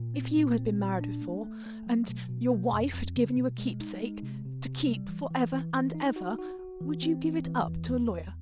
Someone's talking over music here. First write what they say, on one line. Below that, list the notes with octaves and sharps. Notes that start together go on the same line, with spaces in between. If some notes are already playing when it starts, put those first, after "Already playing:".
If you had been married before, and your wife had given you a keepsake,--to keep for ever and ever, would you give it up to a lawyer?
Already playing: A#2
C4
A#2
C4
A#2
D4
A3
A3
A3
F#3
B2
B2
A#3
F2
F2
C#3
B2
G#3
D#4
G#3
C3
C3
C3
G3
E3
E3
E3
E3
D#4
F#4
F#4
F#4
E3
C4
E3
E3
E2
E2
E2